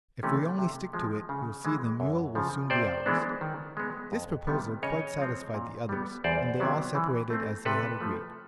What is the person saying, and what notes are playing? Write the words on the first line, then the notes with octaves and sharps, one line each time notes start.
If we only stick to it you'll see the mule will soon be ours.' This proposal quite satisfied the others, and they all separated as they had agreed.
C3 E3 A3 C#4
C3
F3 G#3
C#3
E3 G#3
F#2
C#3 F3
C3 C5 D5
E3 G#3 B3 D4
D#3
G#3 B3
F2
C3 D#3 G3 B3
C#3 C#5 D#5
F3 G#3 C4
A#2
G3 B3
E2 C5 D5
C3 D#3 F#3 B3
E3
A3 C4
C3 A4 B4
F3 A3